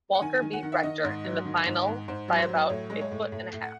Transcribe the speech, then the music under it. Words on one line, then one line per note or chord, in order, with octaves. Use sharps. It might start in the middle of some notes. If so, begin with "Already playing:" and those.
Walker beat Rector in the final by about a foot and half.
F#5
D#3 G#5
D#3
F#5
D#3
E5
D#3 D#5
G#2
F#3
D#3
G#2
G#2
G#2 C5
F#3
C5
F#3
A2 C#5
G#3
C#5
A2
A2
A2
F#5